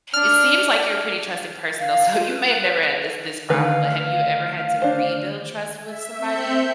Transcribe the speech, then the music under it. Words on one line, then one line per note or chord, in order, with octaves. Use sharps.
it seems like you're a pretty trusting person though, so, you may have never had this this problem, but have you ever had to rebuild trust with somebody?
D4 D6 F6
F5
F4
B4
B4
D3 D#3 A3 B4 F5
D4 C5
E5
C4 E5 G6 C#7